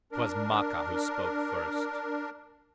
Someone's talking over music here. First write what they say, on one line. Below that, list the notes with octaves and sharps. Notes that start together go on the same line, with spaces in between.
'Twas Maka who spoke first.
D4 A#4